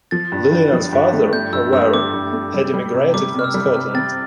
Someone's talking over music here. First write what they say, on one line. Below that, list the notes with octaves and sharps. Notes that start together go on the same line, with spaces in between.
Lillian's father, however, had immigrated from Scotland.
F3 A6
G2
G2
F3
G2
A3
A3 G6
G2 E6
G2 E6
A3 D6
G2
A3
G3
G3
C3
G3 D6
C3 F6
E6
G3
C3 F6
C4 A6